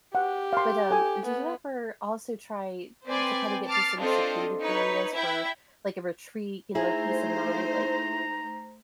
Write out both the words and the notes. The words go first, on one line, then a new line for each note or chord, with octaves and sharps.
But, um, do you ever also try to kinda get to some secluded areas for, like, a retreat, you know, or peace of mind, like,
G4 F#5
F5 C6
A4 G#5
B3
C4 B4 C5 D5 G5 G#5
A5 D6 F6 A6 C7
C4 D4 F4 A4 C5 D#5
D#4 B4 C#5
E4 E5 G5 B5
A3 D#4 E4 G#4 C5 E5 A#5